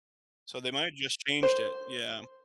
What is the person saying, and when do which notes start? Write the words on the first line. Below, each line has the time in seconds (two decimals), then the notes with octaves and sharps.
so they might've just changed it. Yeah.
1.43 C5